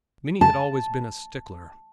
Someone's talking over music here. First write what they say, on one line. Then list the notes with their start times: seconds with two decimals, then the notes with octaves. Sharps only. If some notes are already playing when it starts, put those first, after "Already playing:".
Minnie had always been a stickler.
0.41 A5